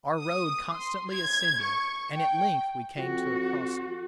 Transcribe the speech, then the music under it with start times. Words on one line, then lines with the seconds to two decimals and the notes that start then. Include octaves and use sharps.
Our road constantly ascended, and at length we came to a crossing.
0.20 D#6
0.72 C6
1.11 G#6
1.62 C#6
2.14 G5
2.98 F2 F#4